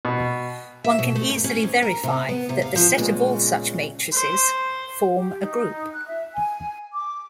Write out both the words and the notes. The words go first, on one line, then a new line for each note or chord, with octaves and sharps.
One can easily verify that the set of all such matrices forms a group.
B2
E5
B2
A3
G2
C#4
D2
A#4
C3
B3
C3
F5
F3
A#2 C#3 G#3 B3
C5
G4
D#4
F#6
E5
G#5
D6